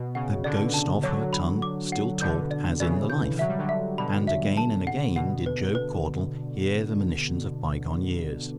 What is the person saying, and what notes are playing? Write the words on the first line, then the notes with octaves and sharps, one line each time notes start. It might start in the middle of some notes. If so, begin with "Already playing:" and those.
The Ghost of her Tongue still talked as in the life; and again and again did Job Caudle hear the monitions of bygone years.
Already playing: B2
C#3 F#5
B2 D3 D5
A5
D3 F#3 C#5
B5
D6
F#5
B2 D3 G6
D5
C#3 E3 D5
G6
F#3 E5
G3
D3 F#3
E5
B2 D3 B5
E5
A5
F#5
B2 F#5
B4
B4